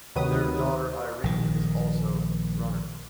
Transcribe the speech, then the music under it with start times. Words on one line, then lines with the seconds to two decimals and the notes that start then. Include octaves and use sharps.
Their daughter Irene is also runner.
0.15 D2 C3 D#3 F#3 B4 D#6
1.23 A#1 D#3